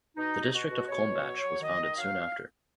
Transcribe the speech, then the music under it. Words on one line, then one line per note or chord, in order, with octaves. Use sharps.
The district of Kulmbach was founded soon after.
B2 D#4
B2
B2 F#4
B2
B2 C#5
B2
F#3
F#3
D#3 D#5
D#3
F#3 F5